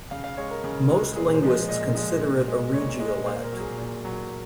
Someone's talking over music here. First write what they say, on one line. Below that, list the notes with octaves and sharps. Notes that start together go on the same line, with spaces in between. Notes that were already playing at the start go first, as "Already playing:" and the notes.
Most linguists consider it a regiolect.
C#3 F5
F5
G#3 C#5
A#4
C#3
G#3
A#2 G#4
C5
F3 G#3
A#2 D#5
F3 G#3
A#2
G#3
A#2 C#5
G#3
A#2 C5
A#4
F#3
G#4
A#2
F#3